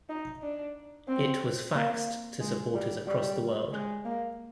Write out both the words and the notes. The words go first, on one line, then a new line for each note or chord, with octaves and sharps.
It was faxed to supporters across the world.
D#4
D4
C4
A#3
G#3
G3
G3
G#3
A#3